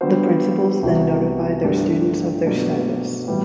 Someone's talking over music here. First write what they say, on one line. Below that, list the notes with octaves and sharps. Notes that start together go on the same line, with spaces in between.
The principals then notify their students of their status.
D3 G3 B3 F#4 C5
C2 C3 E3 B3 F#4
G2 D3 A3 D4 G4
B2 F#3 A3 D4
A2 E3 G3 B3 F#4